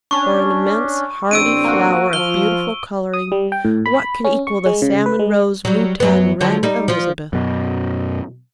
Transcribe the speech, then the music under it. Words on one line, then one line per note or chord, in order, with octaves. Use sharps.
For an immense hardy flower of beautiful colouring what can equal the salmon-rose Moutan Reine Elizabeth?
C#4 D4 C#6
A1 C4 D4 E6 D7 D#7
A#3 F#4
F3 F6 G7
D#6
G3
G5
A2
B5
C#4
C#6
G#3
C#3
B4
G#3
F#3 G3
F#2 F#3 B3
D3 F3 F#3
G3 D#4
F3 F4
F#2 B2